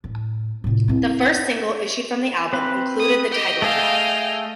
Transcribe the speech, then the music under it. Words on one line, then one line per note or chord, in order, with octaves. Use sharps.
The first single issued from the album included the title track.
A2
A2 C3
C4 E4
C4 B4
D#6
G4 D#5 G5
A3 G#4 A4 F5